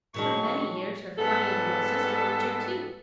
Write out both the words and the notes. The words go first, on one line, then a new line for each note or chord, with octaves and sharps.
For many years her funny little sister lived here, too.
A#2 D#3 F#3 G#3 D4 C#6
G#2 G3 B3 A4